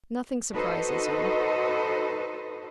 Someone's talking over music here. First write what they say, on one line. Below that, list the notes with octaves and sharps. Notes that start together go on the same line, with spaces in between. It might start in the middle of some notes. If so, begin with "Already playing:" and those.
Nothing surprises you.
D#4 F#4 A4 B4 C5 D#5